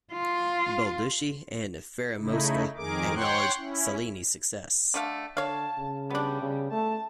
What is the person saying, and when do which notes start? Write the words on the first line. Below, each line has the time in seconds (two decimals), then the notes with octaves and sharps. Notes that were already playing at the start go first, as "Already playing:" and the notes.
Balducci and Fieramosca acknowledge Cellini's success.
0.13 F4
2.18 C#3 A3 D#4 E4
2.77 F2 D#3 G#4 A#4 D6
3.15 C#5 F#5 G5 C6 C#6 F#6
3.57 C#4 E4
4.94 D3 A3 F5
5.37 D3 C#5 F5 A5
5.78 C#3
6.10 G3 B3 D4
6.41 C#3
6.71 A3 A5